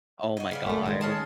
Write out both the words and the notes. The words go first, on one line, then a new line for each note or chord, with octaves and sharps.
Oh my god.
F#4 D#5
C#3 G3 B3
A3 A#3
D#3 G#3 D#5
C#4 G#4 A5